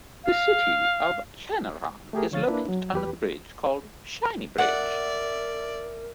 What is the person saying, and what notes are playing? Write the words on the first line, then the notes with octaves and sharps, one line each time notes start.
The city of Chenaran is located under the bridge called Shiny Bridge.
F5
A3 G4 G#4 A#4
D3 F3 C#5 F5 A6
A#3 D4 E4 B4
F#3
E2 G4 B4
A#4 D5 E5 F#5